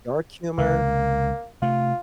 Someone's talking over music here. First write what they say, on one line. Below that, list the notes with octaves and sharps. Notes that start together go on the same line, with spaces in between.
dark humor,
C#2 C3 A#3
C3 A3 F4